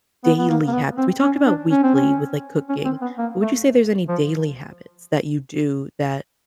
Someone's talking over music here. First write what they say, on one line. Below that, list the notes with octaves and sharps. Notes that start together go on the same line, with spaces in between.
daily habits? We talked about weekly with, like, cooking; would you say there's any daily habits that you do that
B3
B3
A#3
A#3
B3
C4
C#4
D4
C#4
C4
C#4
C#4
C4
B3
A#3
A3
F3